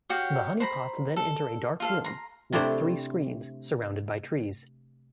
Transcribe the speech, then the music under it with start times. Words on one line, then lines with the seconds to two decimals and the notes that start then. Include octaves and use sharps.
The honey pots then enter a dark room with three screens surrounded by trees.
0.10 F#4 G4 C#5 F5
0.60 C5 A#5 B5
1.16 A4
1.80 F4 A4 F5
2.05 A#5 C6
2.53 C3 A3 C4 D4 E4 C5